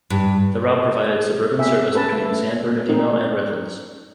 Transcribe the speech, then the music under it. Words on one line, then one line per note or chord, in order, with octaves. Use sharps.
The route provided suburban service between San Bernardino and Redlands.
G2
B3 C4 G4 G#4 E5
C#4 A4 B4 A5
A3
C4 D#4 A#4